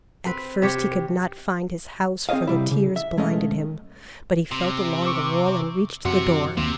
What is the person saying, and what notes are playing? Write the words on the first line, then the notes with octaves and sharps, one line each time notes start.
At first he could not find his house, for the tears blinded him, but he felt along the wall and reached the door.
C4 B4
C3 G4 C#5 E5
C4 G#4 A4 C#5 D#5 F5
C3 G3 E4
C#3
E5
B1 G#3 A3 C#4 D#5 F5
C3
C#6 D6 E6
F#2 C3 F#4 C#7
D#2 C3 D#3 A#3